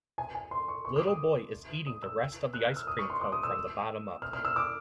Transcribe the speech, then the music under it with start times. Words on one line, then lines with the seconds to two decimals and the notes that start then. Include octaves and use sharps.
Little boy is eating the rest of the ice cream cone from the bottom up.
0.18 G#5
0.35 G#5
0.51 C6
0.68 C#6
0.85 C#6
0.96 D6
1.07 D#6
1.86 D#6
2.03 E6
2.53 F#6
2.65 F6
2.76 E6
2.87 D#6
2.99 C#6
3.10 C6
3.21 D6
3.32 D#6
3.43 E6
4.22 F6
4.33 F6
4.45 E6
4.56 D6